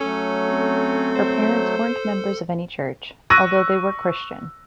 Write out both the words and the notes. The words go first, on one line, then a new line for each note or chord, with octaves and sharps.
Her parents weren't members of any church, although they were Christian.
F#3 A3 C#4 A4
C4
C5
C#6 E6 F#6 A#6 D#7